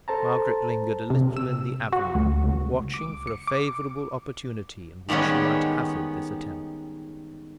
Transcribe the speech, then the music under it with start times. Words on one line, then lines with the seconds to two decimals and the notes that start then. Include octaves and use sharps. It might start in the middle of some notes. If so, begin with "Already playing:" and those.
Margaret lingered a little in the avenue, watching for a favourable opportunity in which she might hazard this attempt.
0.08 A4 C5 A5 A#5
1.10 C3
1.36 E6
1.93 F#4
2.15 D2
2.44 C#2
2.94 D6
3.27 C#7
3.47 D6
5.09 D#3 G3 G#3 B3 C#4